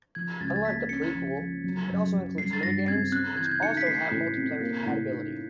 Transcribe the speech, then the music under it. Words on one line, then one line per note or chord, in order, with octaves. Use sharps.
Unlike the prequel, it also includes mini-games, which also have multiplayer compatibility.
F3 G#6
C#2 A6
G#6
A6
A#3 B6
C#4 C#7
F3
F3
F#3
F#2
F#2
G3 C7
A6
G2 A#6
C4 G#6
C4 F#6
E3 G#6
G6
G#6
D#4 C#7
B6
A3 C7
A2
C4
A#3
A2
D#4